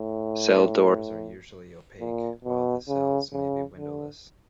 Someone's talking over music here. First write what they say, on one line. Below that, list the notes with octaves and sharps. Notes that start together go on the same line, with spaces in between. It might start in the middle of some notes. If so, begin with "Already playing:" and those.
Cell doors are usually opaque, while the cells may be windowless.
Already playing: A2
A#2
B2
C#3
C#3
D3